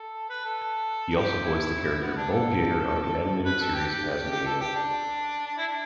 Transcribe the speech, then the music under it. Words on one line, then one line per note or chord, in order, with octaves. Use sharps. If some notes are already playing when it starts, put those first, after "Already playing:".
He also voiced the character Bull Gator on the animated series "Taz-Mania".
Already playing: A4
B4
A4
G4
E4
B3
D4
A4
B4
A4
G4
G4
A4
G4
D4
D4
E4
D4